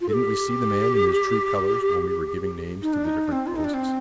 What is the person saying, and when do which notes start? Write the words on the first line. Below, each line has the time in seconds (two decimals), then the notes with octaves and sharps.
Didn't we see the man in his true colours when we were giving names to the different coasts?
0.01 F4
0.09 A4
0.14 G4
2.82 D#4
2.93 D4
3.05 D#4
3.28 D4
3.32 C4
3.47 F4
3.56 D#4
3.64 D4
3.74 C4